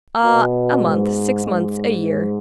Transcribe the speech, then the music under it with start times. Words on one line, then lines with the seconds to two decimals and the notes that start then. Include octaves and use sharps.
"Ah, a month--six months--a year."
0.23 B2
0.83 G#2
1.44 G#2